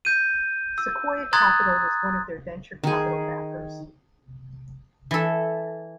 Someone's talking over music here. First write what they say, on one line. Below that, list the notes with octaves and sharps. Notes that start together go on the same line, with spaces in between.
Sequoia Capital was one of their venture capital backers.
G6 D#7
E6
A#5 C6 D#6 F#6 G#6 A6
D#3 G#4
E3 A4